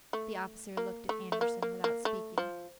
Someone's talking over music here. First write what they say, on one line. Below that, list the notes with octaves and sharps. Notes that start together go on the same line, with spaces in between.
The officer looked at Andersen without speaking.
A3
A#3
A3
A3
A#3
A#3
A#3
A3
F3